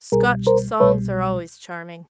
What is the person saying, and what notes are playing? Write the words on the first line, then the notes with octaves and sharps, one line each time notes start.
Scotch songs are always charming.'
C2 B2 G3 G#4 A#4
A#4 C5
C2 B2 G3 B4 C#5